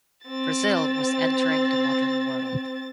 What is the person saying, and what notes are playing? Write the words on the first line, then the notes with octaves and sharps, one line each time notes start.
Brazil was entering the modern world.
C4 A6